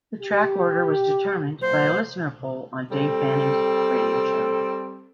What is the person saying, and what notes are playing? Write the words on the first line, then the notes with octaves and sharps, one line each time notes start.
The track order was determined by a listener poll on Dave Fanning's radio show.
G4
A#2 F#3 C5
G3 C4 A4